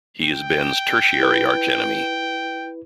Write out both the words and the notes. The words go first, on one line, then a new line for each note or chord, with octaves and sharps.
He is Ben's tertiary archenemy.
G5
E4 B4